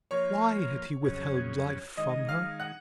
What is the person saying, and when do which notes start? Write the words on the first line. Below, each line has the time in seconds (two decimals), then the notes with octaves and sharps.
Why had he withheld life from her?
0.11 F3 A#3 F4 C#5 C#6
1.04 F2 C#3 F#3 C#4 G#4
1.97 D#3 G#3 D#4 D#5 D#6
2.29 F5 F6
2.60 F#5 F#6